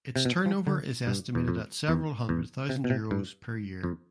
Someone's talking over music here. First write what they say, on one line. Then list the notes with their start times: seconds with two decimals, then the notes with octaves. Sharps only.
Its turnover is estimated at several hundred thousand euros per year.
0.16 C3
0.25 B2
0.46 F3
0.67 D3
1.07 G2
1.35 E2
1.48 F2
1.88 E2
2.29 E2
2.69 C3
2.84 B2
2.90 C3
3.11 G2
3.83 F2